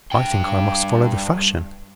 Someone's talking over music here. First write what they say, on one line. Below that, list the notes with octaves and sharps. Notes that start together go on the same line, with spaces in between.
I think I must follow the fashion.
G2 G5